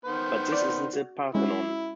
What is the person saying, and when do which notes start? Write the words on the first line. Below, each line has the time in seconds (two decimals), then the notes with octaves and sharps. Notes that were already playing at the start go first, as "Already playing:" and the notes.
But this isn't the Parthenon.
0.05 D#3 B3 C5
0.52 D5
0.93 F#4
1.35 G#3 C#4 E4 F#4